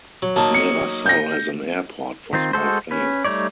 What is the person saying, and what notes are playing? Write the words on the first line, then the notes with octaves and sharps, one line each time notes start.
Mirassol has an airport for small planes.
F#3
F#3 A#3 D#4 A5
C#7
G6 A#6
D#3 C4 F4
G#3 F#4 A4 C5
C#4 B4
G3 A3 D#4 C#5 D5